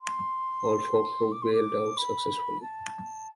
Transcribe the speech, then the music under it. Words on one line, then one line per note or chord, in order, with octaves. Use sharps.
All four crew bailed out successfully.
C6
D6
C6
D6
B5
A5